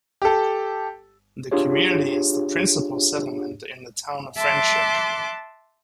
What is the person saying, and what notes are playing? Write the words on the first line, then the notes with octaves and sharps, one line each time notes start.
The community is the principal settlement in the town of Friendship.
G4 A4
D4 F4 G4 G#4 C#5
E5 A5 C6 D6 F#6